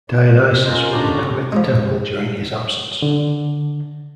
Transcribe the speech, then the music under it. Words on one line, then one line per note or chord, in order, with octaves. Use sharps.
Dionysus would inhabit the temple during his absence.
C#4 F4 A#4 C5 D#5
D#2 D3 C#4 D4 C5 A#5
F3 G#3
D3